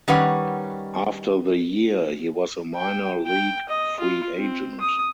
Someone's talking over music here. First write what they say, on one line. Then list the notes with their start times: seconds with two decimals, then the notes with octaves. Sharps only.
After the year, he was a minor league free agent.
0.08 D#3 G3 C#4 B4 F#5
2.76 G5
3.27 G5
3.69 D#5
4.00 F4
4.38 C4
4.80 D#6